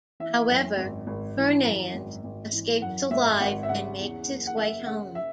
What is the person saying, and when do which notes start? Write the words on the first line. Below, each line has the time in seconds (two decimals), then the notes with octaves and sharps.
However, Fernand escapes alive and makes his way home.
0.20 E3 E5
0.49 F#2
0.77 G#1
1.07 G#1
1.37 E3
1.65 F#2
1.95 G#1
2.24 G#1
2.53 E3
2.82 F#2 F#5
3.11 G#1 E5
3.40 G#1 F#5
3.63 E5
3.69 C#3 F#5
3.99 E2
4.27 F#1
4.47 F#5
4.57 F#1 E5
4.86 C#3 F#5
5.15 E5